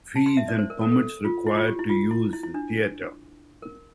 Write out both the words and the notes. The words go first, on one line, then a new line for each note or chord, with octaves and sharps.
Fees and permits required to use the theater.
A5
C6
E5
D5
C5
A#4
A4
A4
A4
F4
E4
F4
G4
E4
F4
E4
E4
E4
D4
A#4